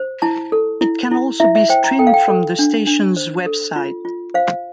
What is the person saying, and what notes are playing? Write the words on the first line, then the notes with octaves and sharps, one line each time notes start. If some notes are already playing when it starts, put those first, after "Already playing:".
It can also be streamed from the station's web site.
Already playing: C5
E4 A5
A4
E4
E4
E4 E5
E5
C5 G5
A#5
A4 G5
F5
G5
A4
D4
D4
C5
A4
F4
F4
C5 F5